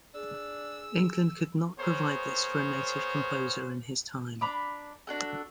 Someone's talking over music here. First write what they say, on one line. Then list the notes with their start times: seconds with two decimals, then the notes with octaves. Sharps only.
England could not provide this for a native composer in his time.
0.14 D4 G#4 E6
1.78 B3 G#4 A#4 C5 C#5
4.41 D4 A#5 B5 D6
5.07 D4 F#4 A4